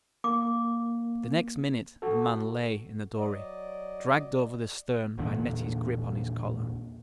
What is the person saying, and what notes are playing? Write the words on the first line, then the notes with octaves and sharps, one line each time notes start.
The next minute the man lay in the dory, dragged over the stern by Netty's grip on his collar.
A#3 D6
F#4 A4
F#3 D5 D#5
A#1 E2 A#2 D3